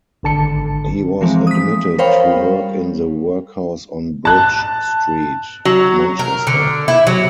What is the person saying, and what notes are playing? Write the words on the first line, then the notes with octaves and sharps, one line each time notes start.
He was admitted to work in the Workhouse on Bridge Street, Manchester.
G#1 D3 A5 C#7
E3 F3 G#3 C4
D#6 B6
A#4 C5 C#5 F5 G5 B5
G3
A5 F#6
F#3
A#4
D3
E4
F#3